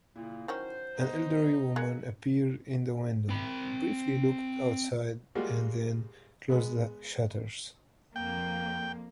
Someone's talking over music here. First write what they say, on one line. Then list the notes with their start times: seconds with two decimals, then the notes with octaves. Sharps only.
An elderly woman appeared in the window, briefly looked outside and then closed the shutters.
0.16 A#2 C#3 A#3 E4
0.48 D#3 F#3 C#4 C5
0.98 B3 D#4
1.76 G#3 A#3 F#6 G#6 C#7
3.29 C4 B5
5.35 G3 G#3 A#3 F4 F#4
6.49 G#3 B3
8.16 F2 A#3 G5